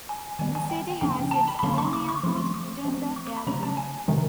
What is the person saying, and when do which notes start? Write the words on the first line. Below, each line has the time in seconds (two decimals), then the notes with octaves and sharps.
The city has its own airport, Dundo Airport.
0.09 G#5
0.39 D#3 G3 B3 G#5
0.55 G#5
0.70 G5
1.01 C#3 F3 A#3 C#4 G5
1.31 A5
1.48 B5
1.59 B5
1.63 D3 F#3 A#3 C#4 C6
1.78 C#6
1.93 D6
2.09 C#6
2.23 F3 A3 C4 C6
2.54 D6
2.85 F3 A3 C4
3.16 C#6
3.27 C#6
3.37 B5
3.47 C#3 F#3 A3 C#4 A#5
3.63 A5
3.77 G#5
4.08 C3 D#3 G#3